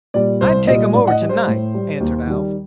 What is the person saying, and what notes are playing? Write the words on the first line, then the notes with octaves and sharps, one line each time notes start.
"I'd take 'em over tonight," answered Alf.
A#2 G3 D5
C2 C5
A#2 G3 D#5
A2 D5
F#5
D#5
G3
C5
A2
G3
D#2
D#3 G3